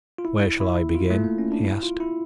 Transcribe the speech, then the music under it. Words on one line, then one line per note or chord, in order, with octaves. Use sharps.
"Where shall I begin?" he asked.
F4
E4
E4
F4
A3
A#3
C#4
D4
E4
F4
E4